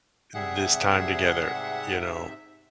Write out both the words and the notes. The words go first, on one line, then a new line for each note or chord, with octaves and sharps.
this time together," you know?
G#2 C3 G3 G#4 E5 F#5